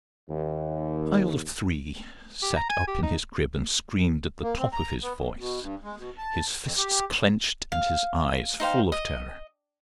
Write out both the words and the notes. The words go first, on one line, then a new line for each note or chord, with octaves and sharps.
A CHILD of three sat up in his crib and screamed at the top of his voice, his fists clinched and his eyes full of terror.
D#2
G4
A#5
G#5
G4
D#4
A#3
C4
A#5
B3
G#2
B2
G2
G#3
B2
A5
F2
G4
F5
D#4 C5 F5 G5
D#5